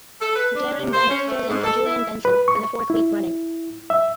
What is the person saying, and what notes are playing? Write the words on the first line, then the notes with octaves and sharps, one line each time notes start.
Darren Bennett filled in for Julian Benson for the fourth week running.
A4
B4
D4
C3
C5
C#4
A3
G#2
A4
E4
B4
C#6
E4
E5